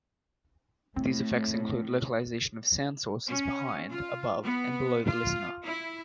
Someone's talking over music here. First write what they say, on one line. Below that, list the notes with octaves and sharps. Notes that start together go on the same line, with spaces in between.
These effects include localization of sound sources behind, above and below the listener.
A2 A3 C4
C#4
F4
B3
F4
E4